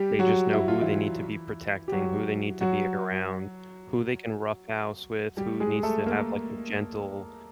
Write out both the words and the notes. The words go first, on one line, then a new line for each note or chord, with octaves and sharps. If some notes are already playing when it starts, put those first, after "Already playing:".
they just know who they need to be protecting, who they need to be around, who they can roughhouse with, who needs to have like a gentle
Already playing: G3 G4
F#3 F#4
E4
F4
E3 E4
G4
F#3 F#4
F#3 F#4
G3 G4
G#3 G#4
A3 A4
A#3 A#4